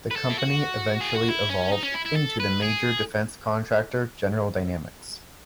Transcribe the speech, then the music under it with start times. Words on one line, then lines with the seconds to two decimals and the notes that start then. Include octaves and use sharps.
This company eventually evolved into the major defense contractor General Dynamics.
0.11 B4
0.16 A4
0.30 E4
0.38 F#4
1.01 G#4
1.14 F#4
1.28 E4
1.50 C#4
1.72 D#4
1.83 C#4
1.95 E4
2.06 E4
2.17 A4
2.40 B4
2.62 G#4